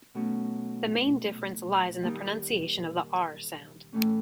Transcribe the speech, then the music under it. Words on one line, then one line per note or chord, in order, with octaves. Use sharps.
The main difference lies in the pronunciation of the "r" sound.
B2 F#3 A3 C#4
D#3 G3 A#3 D#4
A2 E3 A3 C#4